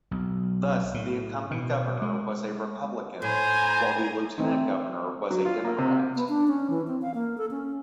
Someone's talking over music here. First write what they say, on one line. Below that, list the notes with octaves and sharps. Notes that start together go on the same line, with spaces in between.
Thus the incumbent governor was a Republican while the lieutenant governor was a Democrat.
B1
A2
B2
G#3
A2 C5 G#5 A#5
A3 C4 D#4
F#3
F4
A#3
C3
B3
D4
C#4
E3
C4
F5
A#3
A4
C#4